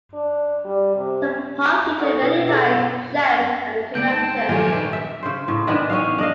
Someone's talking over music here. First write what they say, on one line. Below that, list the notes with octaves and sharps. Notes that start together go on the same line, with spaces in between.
The park featured many rides, shows, and attractions.
D4
G3
C3
G#6
D#4 A4 A#4 D5 F#5 C#6
B2 E4 B4
G#4 A4 C#5 A#5 D6 E6
E2 C#3 G#3 A#3 D5 G6 D7
G#3 D#4 A5
G2 A#2 D#3 F3 F#3 A3 C#5 G#5
D#3 D4 B4 E5
E5
C#3 C5
A2
D#3 E3 B3 D4
C#4 D#4 F5
D4 D#5 F5